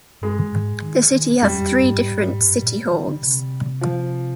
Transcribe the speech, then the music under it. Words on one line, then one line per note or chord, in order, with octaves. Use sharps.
The city has three different City Halls.
G2 G#3
G#2
D#3
D#3
F2 G3
F2
G2
G#2
G2
G#2
G2
G#2
G2
G#2
G2
A#2
D#3
D3
C3
F3